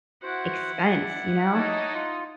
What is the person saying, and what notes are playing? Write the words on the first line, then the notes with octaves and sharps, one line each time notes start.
expense, you know?
E4 F#4 C5 F#5
D5
D#4 C#5 A5 D6
F4